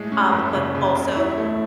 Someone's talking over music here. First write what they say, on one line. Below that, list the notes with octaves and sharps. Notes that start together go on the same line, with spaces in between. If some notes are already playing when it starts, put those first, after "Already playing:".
Um, but also
Already playing: A2 G#3
C#4
F#1
C#3
C#3
E1
E4
A3